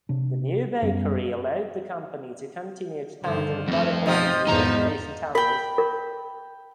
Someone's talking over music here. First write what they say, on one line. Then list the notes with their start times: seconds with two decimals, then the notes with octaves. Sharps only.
The new bakery allowed the company to continue expanding product lines and distribution channels.
0.09 C3 D4
0.82 F#2 G3 B3 C#4
3.24 G2 D3 D#3 F3
3.68 F2 A3 C4
4.06 B2 F3 D#4 G4
4.47 G#1 E2 G#2 B2 F3 D#4 A#5
5.35 A#4 G5 B5
5.78 A#4